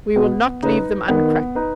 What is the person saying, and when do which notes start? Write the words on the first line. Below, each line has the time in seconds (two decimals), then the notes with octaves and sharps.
We will not leave them uncracked.
0.16 B2 B3
0.63 C#3 D#4 B4
1.08 D#3 B3
1.55 D#4 B4